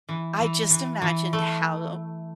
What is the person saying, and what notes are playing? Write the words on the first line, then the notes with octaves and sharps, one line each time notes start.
I just imagined how
E3
E3
E3
E3
A3